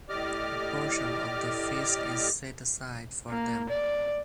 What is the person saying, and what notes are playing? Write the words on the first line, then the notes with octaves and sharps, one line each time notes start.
A portion of the feast is set aside for them.
A2 G4 D5 D#5 D6 F6
A#3
D5